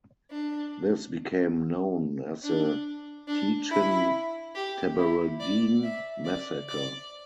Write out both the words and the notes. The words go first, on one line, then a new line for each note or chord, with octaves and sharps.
This became known as the Tchin-Tabaradene massacre.
D4
D4
D4
E4
G4
E4
D5
E5
D5
D5